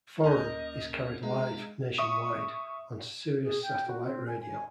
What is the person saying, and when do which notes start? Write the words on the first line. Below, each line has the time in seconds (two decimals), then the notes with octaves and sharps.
"Forum" is carried live, nationwide, on Sirius Satellite Radio.
0.24 D2 A#3 C#4 D5 D#5 G#5 G6
0.39 A#4
1.23 G#3 D4 E5 F5 A#5
1.98 E5 C#6 D#6
3.43 G#4
3.62 G5
3.88 F#4
4.04 C4
4.27 G#5
4.41 G#5